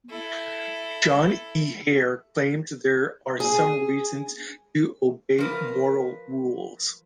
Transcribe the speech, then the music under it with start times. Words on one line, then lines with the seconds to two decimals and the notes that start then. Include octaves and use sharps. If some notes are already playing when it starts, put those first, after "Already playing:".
John E. Hare claims there are some reasons to obey moral rules.
0.10 E4 A4
3.40 G#4
5.38 F3 A#4 B4